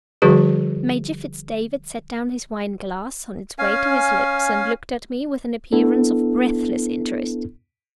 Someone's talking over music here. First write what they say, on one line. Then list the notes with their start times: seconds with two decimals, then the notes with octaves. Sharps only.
Major Fitz-David set down his wine-glass on its way to his lips, and looked at me with an appearance of breathless interest.
0.22 D3 F3 G3 F#4 G#4 B4
3.59 C#4 F5 G#5
5.73 B3 D4 E4 A4